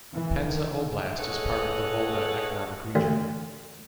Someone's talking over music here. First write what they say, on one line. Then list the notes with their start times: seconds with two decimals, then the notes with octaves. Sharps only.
Penza Oblast is part of the Volga economic region.
0.13 E3
0.46 D#3
1.17 G#4 A4 B4 C#5 D#5 F#5
2.95 D2